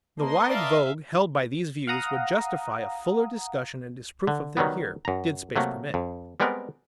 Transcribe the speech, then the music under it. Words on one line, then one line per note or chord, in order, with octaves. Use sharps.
The wide vogue held by these views would justify a fuller discussion and disproof of them here, did space permit.
A#3 B4 D#5 A5 A#5 C6
D5 E5 F5
F5 F#5 A#5 D#6
D3
D#3 F#3 G3 B3
F#2 A#5
C3 F#3 A3 A#3
F2
G3 G#3 B3 C4 A#4 D5